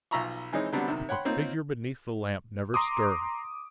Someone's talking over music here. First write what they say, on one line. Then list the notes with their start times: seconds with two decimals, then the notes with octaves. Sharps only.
But the figure beneath the lamp never stirred.
0.11 B1 F4 E5 A#5 B5 C#6
0.53 E3 G#3 C4 C#4 D#4
0.73 D3 F#3 G3 B3 C4 D4
0.88 C3 D#3
1.09 C#5 F#5 G5 B5 C6
1.25 A#3 C4 C#4 D#4 F4
2.74 A#5 C6 D6 D#6